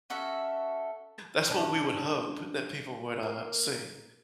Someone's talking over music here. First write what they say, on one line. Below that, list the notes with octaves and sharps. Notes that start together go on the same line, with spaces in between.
That's what we would hope that people would, uh, see
C#4 F#4 A4 E5
G2 C#4 D4
A#3